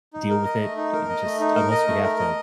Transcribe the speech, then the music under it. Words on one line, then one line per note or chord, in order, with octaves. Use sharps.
deal with it and just unless we have to,
D#4
A#4
D#5
A3
D#4
A#4
D#5
A3
D#4
A#4
D#5
A3
A#4
D#5